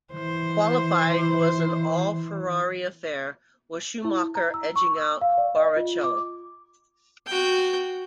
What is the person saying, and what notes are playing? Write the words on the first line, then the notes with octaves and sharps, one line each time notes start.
Qualifying was an all Ferrari affair, with Schumacher edging out Barrichello.
E3 C5
E4
A#5
E6
C#6
E6
F5
D5
D#5
F4
D6
F#4 G5